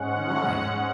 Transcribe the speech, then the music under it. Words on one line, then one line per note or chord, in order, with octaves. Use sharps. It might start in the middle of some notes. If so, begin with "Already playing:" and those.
And why?
Already playing: G#2 G#3 C#4 F#5